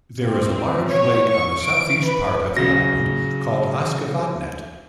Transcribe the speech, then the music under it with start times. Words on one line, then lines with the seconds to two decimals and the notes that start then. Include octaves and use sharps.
There is a large lake on the southeast part of the island, called Askevatnet.
0.24 C4
0.89 C#5
1.29 C#6
1.64 D7
2.04 B4
2.57 C#3 F#3 A#6